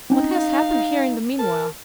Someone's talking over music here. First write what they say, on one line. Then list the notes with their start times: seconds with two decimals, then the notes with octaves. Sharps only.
"What has happened here in the meanwhile?"
0.10 C4 C#4 D#4 G5
0.35 F5
1.39 A#4 A5